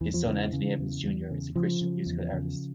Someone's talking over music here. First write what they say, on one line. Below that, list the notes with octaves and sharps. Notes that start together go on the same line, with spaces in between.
His son Anthony Evans Junior is a Christian musical artist.
E2 E3
F3
C#3 E3
C#3
E2
E2
C#3
C#3 F3
C#3
E2
C#3